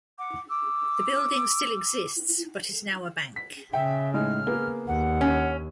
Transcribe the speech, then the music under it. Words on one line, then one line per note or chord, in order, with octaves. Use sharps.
The building still exists but is now a bank.
F#5 D6
D6 E6
B6
C#3 E5 G5
A2 G#3 D#4 F6
A#3 B3 G#4
D#2 F#5
C#4